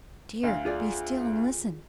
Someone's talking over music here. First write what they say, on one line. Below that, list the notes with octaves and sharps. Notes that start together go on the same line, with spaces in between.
"Dear, be still, and listen!"
D2 F5
F4 G#4 D5